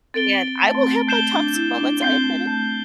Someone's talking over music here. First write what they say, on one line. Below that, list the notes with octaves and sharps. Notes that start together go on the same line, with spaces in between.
And I will have my toxic moments, I admit it.
C4 A6 D7 G7
A3
C4
A3
A3 G6 C7 E7 G7
D4
E4
D4
C4 G6 C7 G7
A3
A3